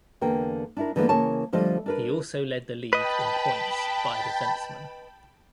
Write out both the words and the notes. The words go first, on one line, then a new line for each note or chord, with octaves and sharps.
He also led the league in points by a defenceman.
E2 D3 A#3 G5
D4 E4 A#4
D3 E3 G#3 A#3 B3 D5
C#3 E3 A#3 C#4 C#5 A5
D3 F3 G3 A3 D#5
D4 A#4 B4
B4 D#5 G5 A5 B5